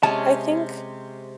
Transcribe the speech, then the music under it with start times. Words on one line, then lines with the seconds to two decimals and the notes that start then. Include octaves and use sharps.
I think,
0.03 C3 G#3 C#4 A5